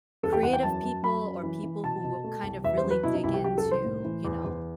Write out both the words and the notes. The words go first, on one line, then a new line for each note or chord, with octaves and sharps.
creative people or people who will kind of really dig into, you know,
E2 A4
G4
E2 F#5
G5
F#2 A5
F#2
F#3 B5
F#2
E3
E3
B2 A5
B2
A3
C2
E2 E5
C5
F#3
B4
B2 E4
D#4
C2 E4
G4
F#3 G4
A4
C2
C5
A2
E3
E2
E2